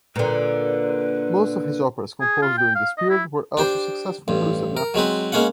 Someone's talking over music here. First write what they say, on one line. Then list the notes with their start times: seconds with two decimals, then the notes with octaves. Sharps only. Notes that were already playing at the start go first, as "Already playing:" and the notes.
Most of his operas composed during this period were also successfully produced at Naples.
0.16 A#2 D3 B4
2.20 G#4
2.42 F4
2.57 G5
2.75 F5
2.98 D#5
3.10 E4
3.57 D4 G4 C5
4.28 A1 G2
4.77 A#4
4.94 F#3 G#3 C4 B4
5.32 G#3 A#3 C#4 F5 F#5